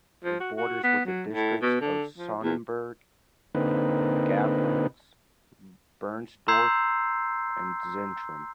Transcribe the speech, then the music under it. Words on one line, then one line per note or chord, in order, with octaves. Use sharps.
It borders with the districts of Sonnenberg, Gablenz, Bernsdorf, and Zentrum.
F3
F#4
F#4
B3
F#3
A2
B2
D3
F3
E2
D3 A#3 C4 D#4 B4
A#5 C6 E6 G6 G#6 C7